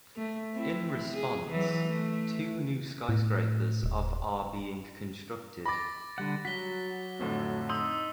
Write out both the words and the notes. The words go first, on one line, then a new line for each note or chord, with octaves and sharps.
In response, two new skyscrapers of are being constructed.
A3
C4 E4
G#4
E3 F#3
A3
A2
D#1
B5 D6 A6 A#6
D3 G3 F#5
F#3 F#4 B6 G7
F2 A2 D3
D#4 C6 D#6 E6 G6